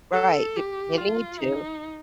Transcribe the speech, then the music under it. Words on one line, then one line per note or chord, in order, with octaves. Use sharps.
Right, you you need to,
A4
G4
F4
D#4